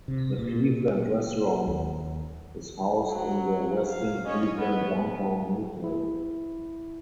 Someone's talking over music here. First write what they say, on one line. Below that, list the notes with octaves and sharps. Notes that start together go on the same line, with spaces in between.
The Cleveland restaurant is housed in the Westin Cleveland Downtown Hotel.
C3
A#2
D#2
F#3
F5
C#4 C#5 D#5
B3
E4